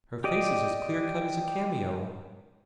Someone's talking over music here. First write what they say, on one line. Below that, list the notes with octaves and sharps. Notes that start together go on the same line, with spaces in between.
Her face is as clear-cut as a cameo.
G4 D5 D#5